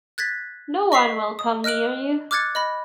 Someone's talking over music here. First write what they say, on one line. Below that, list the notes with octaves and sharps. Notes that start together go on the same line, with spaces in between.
No one will come near you.
F#6 G#6 A6 B6
D#5 C#6 B6 C7
D#6
D#5 F6 F#6 D7 F#7
D6 F6 F#6 G#6 A6 C#7
D#5 B5 A#6